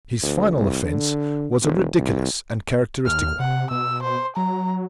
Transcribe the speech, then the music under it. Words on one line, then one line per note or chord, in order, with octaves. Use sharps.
His final offence was a ridiculous and characteristic one.
D2
C2
D3
E1
C2
D#2 F6
C3 F#5
B2 E6
C5
F#3 A#5